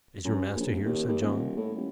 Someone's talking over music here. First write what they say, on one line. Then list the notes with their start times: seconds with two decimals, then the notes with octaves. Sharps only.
'Is your master here?' said John.
0.24 F#2
0.55 A#1
0.68 D#1
0.85 D#2
1.08 D#2
1.21 D#1
1.56 A2
1.75 D#1